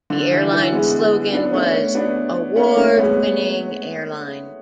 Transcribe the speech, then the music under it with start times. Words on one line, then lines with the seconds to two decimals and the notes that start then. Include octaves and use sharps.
The airline's slogan was "Award-winning airline".
0.10 D3
0.31 E3
0.52 E3
0.73 G#3 B3
1.33 B3 D4
1.54 A3 C#4
1.95 B3 D4
2.56 A3 C#4
2.76 A3 C#4
2.97 G#3 B3